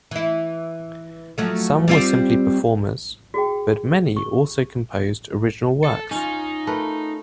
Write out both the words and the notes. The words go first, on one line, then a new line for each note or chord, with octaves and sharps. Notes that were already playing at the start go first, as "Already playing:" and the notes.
Some were simply performers, but many also composed original works.
E3 E4
F3 F#3 A3
G3 C4 F4
F#4 G#4 G5
C#6
A4
C#4 D#4 F4
A3 A#4 B4